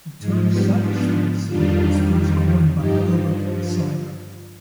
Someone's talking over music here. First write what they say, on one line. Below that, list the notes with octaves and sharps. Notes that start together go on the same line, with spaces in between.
The term satisficing was first coined by Herbert Simon.
G#2 F3 G#3
G3 B3
B3 D4
F2 D#3 G3 D4 F4
G2 F3 D#4 G4